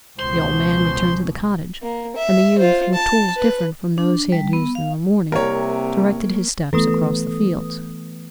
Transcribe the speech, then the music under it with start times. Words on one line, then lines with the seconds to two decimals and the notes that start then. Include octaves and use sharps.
The old man returned to the cottage, and the youth, with tools different from those he had used in the morning, directed his steps across the fields.
0.19 C#2 B2 C5 C6
1.82 A#3
2.16 E5
2.58 F4 C5
2.93 A5
3.37 B4
3.98 D4
4.32 G3
4.53 B3
4.75 F5
5.32 C2 C3 A#3 A#4 C#5
6.73 E3 A3 B3 A4 B4 D#6